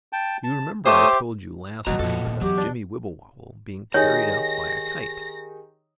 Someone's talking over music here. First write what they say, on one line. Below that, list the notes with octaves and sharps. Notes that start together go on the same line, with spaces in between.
You remember I told you last night about Jimmie Wibblewobble being carried up by a kite.
G5 A5
A5
A3 G4 C5 C#5 E5 D#6
A1 D#2 B2 F#3 F#4 A#5
F2 A#2 E3 A4
D#3
E2 F#3 G4
D4
D#3 D#4 G4 G#4 C#5 D#5 G#5 A#6